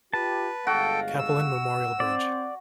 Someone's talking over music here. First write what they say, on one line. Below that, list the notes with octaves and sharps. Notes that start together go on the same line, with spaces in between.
Cappelen Memorial Bridge.
F4 G4 B4 A5
G1 G#3 F#4 A4 F5 G5
E6
C4 C5 D5